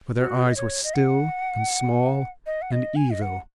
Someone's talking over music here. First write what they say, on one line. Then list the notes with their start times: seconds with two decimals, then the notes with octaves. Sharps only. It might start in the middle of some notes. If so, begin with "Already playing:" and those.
For their eyes were still, and small, and evil.
0.19 F#4
0.47 D#5
0.56 C#5
0.84 D#5
0.94 F#5
2.46 D#5
2.62 F#5
2.72 D#5
2.96 G#5
3.11 D#5
3.22 F#5